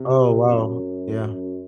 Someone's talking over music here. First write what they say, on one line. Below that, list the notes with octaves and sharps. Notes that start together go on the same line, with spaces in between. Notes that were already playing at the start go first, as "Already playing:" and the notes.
Oh, wow, yeah.
Already playing: C3
F#2
F#2